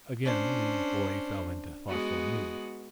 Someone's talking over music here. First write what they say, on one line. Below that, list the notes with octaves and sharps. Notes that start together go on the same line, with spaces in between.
Again the boy fell into a thoughtful mood.
C#4 D4 C5
G#3 B3 F#4